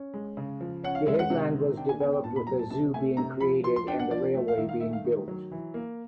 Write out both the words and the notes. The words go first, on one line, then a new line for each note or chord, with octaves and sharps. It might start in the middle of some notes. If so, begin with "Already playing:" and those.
The headland was developed, with a zoo being created and the railway being built.
Already playing: C#4
G#3
C#3
F3
C#4 F#5
F5
G#3 E5
F#5
C3
D#3
D4 G5
G#5
B3 G#5
G5
A#2 A5
B5
F#3 A#5
A5
C3 A5
A3 G#5
C3 A#5
F3 B5
F3 C6
C6
D4 G5
F#5
F3 D5
A3
F5
D#3 E5
F5
A3 E5
F5
D#3
F#3
E3
A#3